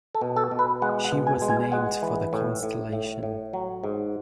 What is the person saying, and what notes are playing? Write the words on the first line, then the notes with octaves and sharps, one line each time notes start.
She was named for the constellation.
A4
B2
A4
B2
B4
G#3 F#5
F#5
B2
G#5
G#3
G#5
G#3 F#5
E3
A2
A2
A2
A2
F#3
G#2